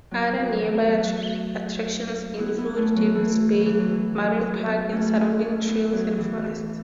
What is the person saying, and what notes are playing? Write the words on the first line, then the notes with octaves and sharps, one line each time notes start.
Other nearby attractions include Jervis Bay Marine Park and surrounding trails and forests.
F#3 B3
F#3 B3
E3 A3
F#3 B3
B3 E4
B3 E4
A3 C#4
F#3 B3
E3 A3
F#3
E3
F#3
E3
F#3
F#3
F#3 B3
A3 C#4
B3 E4
A3 C#4
B3 E4
F#3 B3
E3